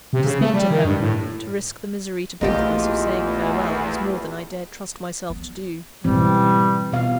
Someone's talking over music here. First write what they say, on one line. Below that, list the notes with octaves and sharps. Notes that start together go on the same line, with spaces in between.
To speak to her, to risk the misery to both of us of saying farewell, was more than I dared trust myself to do.
C3
C#3
A3
G3
D#3
G2
A2
A#1 E2 A3 A#3 D#4 F4 G4
B3
G#2 B2 E3 G3 C4
B2 F5